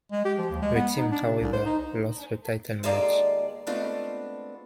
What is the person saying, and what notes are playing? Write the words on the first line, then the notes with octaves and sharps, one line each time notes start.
The team, however, lost the title match.
G#3
G4
F3
D#2
G#3
B3
D#4
D4
C3
C2
C5
D#4
D#2 G#3 F4 A4 D5 A#5
G#3 A3 B3 C4 D4 F4